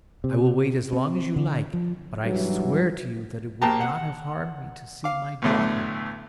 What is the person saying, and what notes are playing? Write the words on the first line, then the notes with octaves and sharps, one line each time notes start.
I will wait as long as you like, but I swear to you that it would not have harmed me to see my daughter.
C3
C4
D3
F3
B1 G2 E3 F#3
A#1 A#3 G4 G5 A5 A#5
F#5
F5 D6
B1 E2 A2 D3 A3